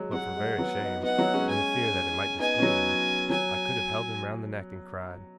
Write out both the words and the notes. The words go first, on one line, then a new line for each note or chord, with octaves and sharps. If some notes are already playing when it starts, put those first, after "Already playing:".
But for very shame, and the fear that it might displease him, I could have held him round the neck and cried.
Already playing: F#3 G#3
F#3 F#5
G#3
F#3 B3
B3 D#4
B3 D#4 F#5
F#3 B3
G#3 C#4
G#5
B3 D#4 G#5
C#4
F#3 B3
F#3 G#5